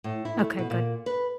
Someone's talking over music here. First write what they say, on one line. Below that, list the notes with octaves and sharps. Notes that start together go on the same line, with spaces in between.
Okay, good.
A2
E4
A3
B2
A#2
B4